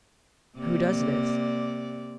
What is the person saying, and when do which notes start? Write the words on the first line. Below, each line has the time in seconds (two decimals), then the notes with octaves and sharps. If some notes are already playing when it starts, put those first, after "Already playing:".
Who does this?
0.57 C3 A#3 D5